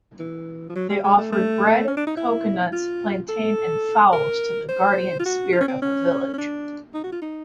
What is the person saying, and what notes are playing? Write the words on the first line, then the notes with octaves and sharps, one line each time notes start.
They offered bread, coconuts, plantain, and fowls to the guardian spirit of the village.
E3
F3
F#3
G3
G#3
A3
A3
C#4
D4
D#4
E4
F4
A4
A#4
C5
F4
F#4
F4
C#4
C4
C#4
C#4
D4
D#4
F#4
F4
D#4